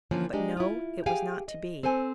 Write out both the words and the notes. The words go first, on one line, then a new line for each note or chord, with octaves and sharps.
But no, it was not to be.
D3 E3 F3 A#3 C#4
G#3 D4 D#4 G4
E4 F4
G4 G#4 F5 G5 G#5
D#5
C4 A4 C5 G#5